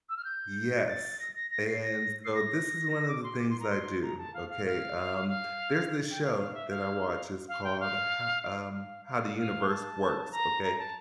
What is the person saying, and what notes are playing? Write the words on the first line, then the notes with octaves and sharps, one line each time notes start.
Yes, and so this is one of the things I do, okay? Um, there's this show that I watch, it's called Ha um, How the Universe Works, okay?
E6
F6
G6
A6
A#6
A#6
A#6
C7
A#6
C7
A#6
D6
C6
D6
C6
A#5
C6
A#5
A5
F5
F5
F5
F5
G5
F5
F5
E5
F5
F5
G5
F5
F5
F5
F5
F5
A5
A#5
A#5
A5